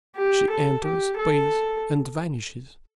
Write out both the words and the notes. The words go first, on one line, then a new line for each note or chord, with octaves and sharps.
She enters, pays, and vanishes.
G4
A4
G4
A4